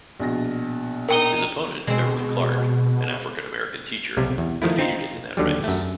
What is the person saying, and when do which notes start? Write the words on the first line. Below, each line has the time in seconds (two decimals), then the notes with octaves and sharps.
His opponent Beverly Clark, an African-American teacher, defeated him in that race.
0.19 A#1 B2 A#6
1.09 D#4 A#4 G5 D#6 G7
1.87 B2 G#3 C4
4.17 B1 C3 G3 F5
4.38 E2
4.62 D#3 F3 A3 E4
4.79 C4 D#4 F4
5.37 D#2 D3 F#3 G3
5.64 F#2 A3